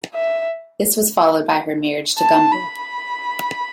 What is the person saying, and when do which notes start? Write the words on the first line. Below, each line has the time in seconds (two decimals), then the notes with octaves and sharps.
This was followed by her marriage to Gumble.
0.14 E5
2.19 A5
2.52 B5